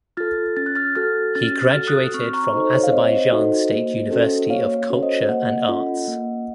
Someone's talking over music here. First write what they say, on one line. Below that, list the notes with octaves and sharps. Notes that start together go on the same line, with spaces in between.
He graduated from Azerbaijan State University of Culture and Arts.
F4 A4 F6 A6
C#4 A6
F#6
F6 A6
F#4 A4 F6 A6
C#4 F6 A6
F6 A6
F#4 A4
D#6 F#6
C4 C#6 F6
A#5 C#6
D#4 F#4 A4 C5 D#5
C5
C#5
F5
C4 C5 D#5
D#4 F#4 A4
A#3
C#4 F#4 A4
A#3 C#5 F5
C#5
C#4 F#4 A4
C5 D#5
A#3 D#5 F#5
C#4 F4 A4
A#3